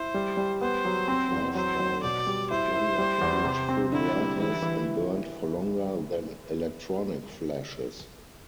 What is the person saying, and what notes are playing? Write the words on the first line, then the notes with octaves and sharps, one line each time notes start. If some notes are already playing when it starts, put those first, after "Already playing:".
Flashbulbs took longer to reach full brightness and burned for longer than electronic flashes.
Already playing: E4 C5
G3
G3
B3 C5
F#3
C4
E2
F#3 C5
F#3
B2 D5
G3
E4 C5
E4
G3
E2
C3
C4
D3 E4
G3
E3 E4
E3